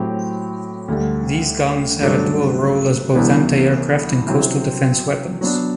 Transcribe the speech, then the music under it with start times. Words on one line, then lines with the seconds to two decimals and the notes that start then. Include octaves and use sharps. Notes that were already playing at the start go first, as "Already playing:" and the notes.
These guns had a dual role as both anti-aircraft and coastal defence weapons.
Already playing: A2 F#3 C4 G4
0.88 D2 D3 G3
2.01 G2 D3 F#3 A3 D4
3.14 C2 C3 E3 B3 D4
4.27 C3 F#3 C4 E4
5.41 F#3 B3 D4